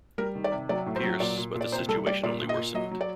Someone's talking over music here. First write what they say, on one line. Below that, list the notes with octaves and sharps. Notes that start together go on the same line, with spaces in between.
Pierce, but the situation only worsened.
G3 A#4
D#3
D5
C3
F#3 D5
A2
C5
F#3
A#2 D5
A#2
A#2
D5
C3 C5
G3 A4
G3 D5
A#2 D5
A#2
D#5
A#2
F#3 D#5
F#3
D5